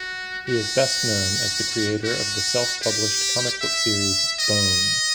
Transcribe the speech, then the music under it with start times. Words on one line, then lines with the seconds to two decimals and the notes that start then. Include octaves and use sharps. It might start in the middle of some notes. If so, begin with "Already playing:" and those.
He is best known as the creator of the self-published comic book series "Bone".
Already playing: F#4
0.47 F#4
2.04 F#4
2.83 G4
3.62 E5
4.40 D#5